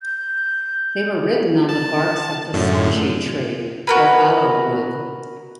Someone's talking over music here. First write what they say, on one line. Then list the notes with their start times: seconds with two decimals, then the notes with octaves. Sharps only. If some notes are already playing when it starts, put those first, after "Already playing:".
They were written on the barks of the "Sanchi" tree or aloe wood.
0.01 G6
1.69 A5
2.53 F#2 A2 D3
3.87 F#4 A#4 B4